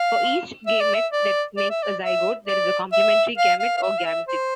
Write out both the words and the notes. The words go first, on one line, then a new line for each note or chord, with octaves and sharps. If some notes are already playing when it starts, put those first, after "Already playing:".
For each gamete that makes a zygote, there is a complementary gamete, or gametid.
Already playing: F5
E5
D5
E5
D5
D5
E5
D5
E5
D5
E5
F5
F5
F5
E5
F5
E5
C5